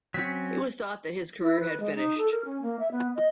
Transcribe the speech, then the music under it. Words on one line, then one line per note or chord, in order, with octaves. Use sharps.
It was thought that his career had finished.
F#3 C4 C#4 B6
E4
B4
G#3
D#4
A4
A#4
C#4
A#3
E5
B3
D#5